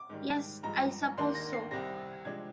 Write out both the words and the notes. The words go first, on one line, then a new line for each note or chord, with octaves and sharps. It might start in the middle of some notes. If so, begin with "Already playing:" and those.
Yes, I suppose so.
Already playing: D6
G#2 D#3 G3
G2 F3 G#3 A#5
D#2 D#3 A#3 D4 C6
A#6
C7
C2 C3 G3 C4 A#6
C3 F3 G#3 D4 G#6